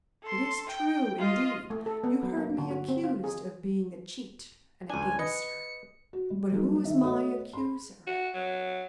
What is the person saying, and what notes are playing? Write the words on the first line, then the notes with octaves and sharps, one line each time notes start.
It is true, indeed, you heard me accused of being a cheat and a gamester; but who is my accuser?
A4 C6
G5
F4 D#5
A3
A4
B3
F#3
A#3
D3
F#4
C4
F4
G#4
C#2 D4 G#5
B4 D#5 C#7
F#4
G3
F#3 G3 A#3 D#4 G#4
D#3 D#4 E5
A3 F#4 C#5 D#5 F#5 D#6
G#4 B5 C6
F#4
F#3